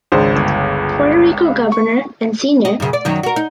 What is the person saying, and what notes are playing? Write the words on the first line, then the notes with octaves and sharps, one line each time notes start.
Puerto Rico Governor and Sr.
G#1 C#2 D4 C5
G1
C#6
D#5
F#2 C#3
D5
F#2 D#3 F#3
F#4 A#4
D#4